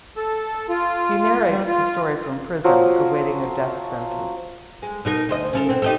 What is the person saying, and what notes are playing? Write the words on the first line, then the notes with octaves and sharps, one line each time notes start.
He narrates the story from prison, awaiting a death sentence.
A4
F4
G3
F4
F3 F#3
G#3
B2 D#4 A#4
D2 C5 D#5
C#3 A4 A#4
B2 C4
D#4 G4 A4